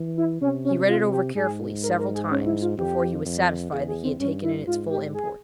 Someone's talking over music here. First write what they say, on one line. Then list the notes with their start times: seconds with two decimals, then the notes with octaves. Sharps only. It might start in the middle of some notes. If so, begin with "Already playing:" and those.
He read it over carefully several times, before he was satisfied that he had taken in its full import.
Already playing: E3
0.17 E4
0.41 C3 C#4
0.65 C#4
0.89 F4
1.12 G4
1.35 G#2 G#4
1.83 A#4
1.99 A#4
2.15 G#4
2.31 C#4
2.46 E4
2.62 F4
2.78 F2 G4
3.25 F2
3.72 E2 G#4
3.88 G#4
4.04 C4
4.20 G2 C#4
4.44 E4
4.67 G#2 F4
4.91 G4
5.14 G#4